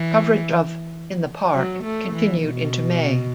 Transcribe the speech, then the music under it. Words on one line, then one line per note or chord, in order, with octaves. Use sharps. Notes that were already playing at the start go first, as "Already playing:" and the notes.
Coverage of "In the Park" continued into May.
Already playing: E3
F#3
A3
E3
B2